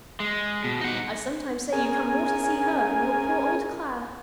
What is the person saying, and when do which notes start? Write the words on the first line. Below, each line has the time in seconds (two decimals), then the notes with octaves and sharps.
"I sometimes say you come more to see her than your poor old Clare."
0.20 G#3
0.64 B2
0.81 D#4 F#5
1.72 C#4 G#4 A#4 G#5